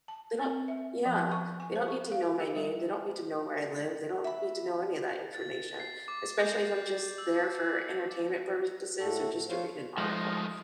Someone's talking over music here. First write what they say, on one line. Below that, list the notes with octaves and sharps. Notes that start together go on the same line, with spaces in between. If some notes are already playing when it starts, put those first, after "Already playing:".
they don't Yeah. They don't need to know my name; they don't need to know where I live; they don't need to know any of that information, especially if I'm just there for entertainment purposes or just to read an article,
A5
C4
E5
F3
C#6
G#5
C5
C#6
F5
G4
G3
E5 B5
A6
C7
D6
G6
E6
A2 F#4 A4
F3 F4 C5 C#5 F5
F3 G#3 A3 D#4